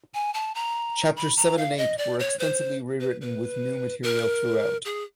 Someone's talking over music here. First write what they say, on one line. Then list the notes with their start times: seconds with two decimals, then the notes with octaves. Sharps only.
Chapters seven and eight were extensively rewritten with new material throughout.
0.14 G#5
0.34 A5
0.55 A#5
1.16 B5
1.37 A#5
1.57 F5
1.78 D#5
1.98 D5
2.19 C#5
2.39 C5
3.01 B4
3.21 B4
4.03 A#4
4.85 G#4